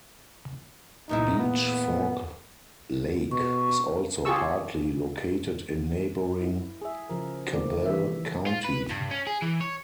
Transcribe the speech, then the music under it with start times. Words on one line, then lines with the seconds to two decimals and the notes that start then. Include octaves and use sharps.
Beech Fork Lake is also partly located in neighboring Cabell County.
1.09 E2 A#2 D#4 E4
1.39 B3
3.31 B2 C#6
4.25 F4 G4 G#4 A5 C#6 E6
6.41 E4
6.82 G#4 E5
7.09 C#3 F3 A#4
7.52 D#3 A3 A#3 C4 D5
7.86 E3 G3 E5
8.47 F4
8.65 B4
8.90 G2
9.11 C#4
9.27 G#4
9.42 E3
9.61 C#5